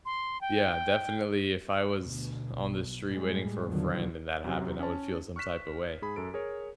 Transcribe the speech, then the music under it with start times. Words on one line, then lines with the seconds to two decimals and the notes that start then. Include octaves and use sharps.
yeah, definitely if I was on the street waiting for a friend and that happened, I would feel some type of way.
0.05 C6
0.41 G5
1.99 D2 B2
2.57 B1
3.07 A2 G3 G#3
3.65 E2 B2 D3 D#3 F3 F#3
4.44 F#2 C3 F#3
4.79 C#4 A5
5.36 C#6 F6 F#6 B6 E7
6.02 G#2 G#4 B5
6.16 F#2 A4 D7
6.34 G#4 A#4 C#5